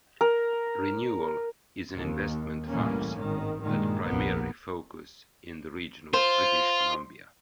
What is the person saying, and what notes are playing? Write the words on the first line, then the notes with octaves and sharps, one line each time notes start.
Renewal is an investment funds that primarily focus in the region of British Columbia.
A#4
D#2
C2 A2 E3 A#3 C#4
G#1 D#3
G2 A#2 D#3 G#3
F1 A#1 D#2 A#3 B3
F4 C5